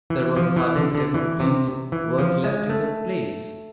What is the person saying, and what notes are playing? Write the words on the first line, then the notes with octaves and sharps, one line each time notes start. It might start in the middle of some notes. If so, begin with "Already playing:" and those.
There was hardly ten rupees' worth left in the place.
E3
F3
E3
D3
D3
E3
C3
E3
F3
G#3
A3